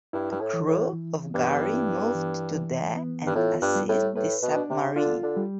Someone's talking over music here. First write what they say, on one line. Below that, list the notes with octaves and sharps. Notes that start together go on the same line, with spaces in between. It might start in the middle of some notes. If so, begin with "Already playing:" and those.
The crew of "Gari" moved to the and assist the submarine.
G2 E4
G2
A2
E3
A2
E3
G2 B3
E4
E3
E3
B3
G2
A2 F4
G2
G3
A2
A2 B4
B2
D4
C3
D3 F4
D3
G3